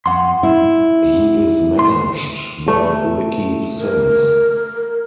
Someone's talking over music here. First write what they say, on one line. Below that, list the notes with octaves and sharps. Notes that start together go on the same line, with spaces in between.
He is managed by Ricky Simms.
F2 F#5 C6
E4
D2 C6
A3
A#4